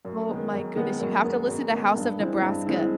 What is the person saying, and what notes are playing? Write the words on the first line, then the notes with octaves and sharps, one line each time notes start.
Oh my goodness, you have to listen to House of Nebraska.
F#2
D#3 G#3 B3
F#2
D#3 G#3 B3
F#2
D#3 G#3 B3
F#2
D#3 G#3 B3
G2
E3 G#3 C4 E4
G2
E3 G#3 C4 E4